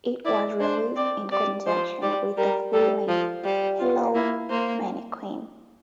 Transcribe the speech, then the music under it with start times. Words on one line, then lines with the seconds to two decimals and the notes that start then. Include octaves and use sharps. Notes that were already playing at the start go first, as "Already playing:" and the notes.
It was released in conjunction with the full-length "Hello, Mannequin".
0.25 E4 D5
0.60 D4 C5
0.96 C4 D5
1.31 G3 D5
1.66 F3 C5
2.02 G3 D5
2.37 G3 A#4
2.73 G3 A4
3.08 F3
3.44 G3
3.79 F4
4.15 A#3 E4
4.50 A#3 C5